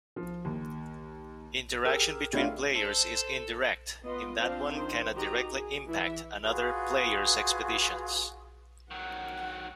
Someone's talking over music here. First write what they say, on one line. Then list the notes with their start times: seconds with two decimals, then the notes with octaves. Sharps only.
Interaction between players is indirect, in that one cannot directly impact another player's expeditions.
0.16 F3
0.45 D#2
1.85 G4 G#4 A#4 E6
2.33 G3 A3 C#4 D4 E4 F4
2.76 A4 C5
4.03 B3 F4 B4 D#5 C6
4.38 F3 C4 D4 F4 C5 F5
4.69 D#3 C5
5.14 D#3 F#4 G4 D#5 A#5
5.47 G#4
5.87 E3 E4 E5
6.44 F4 F#4 G#4 B4
8.91 D#3 F#3 F#5